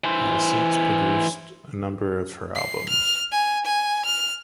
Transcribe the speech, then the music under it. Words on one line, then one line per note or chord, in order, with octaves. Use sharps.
He has since produced a number of her albums.
E3 C5
C7
F6
G#5
G#5
F6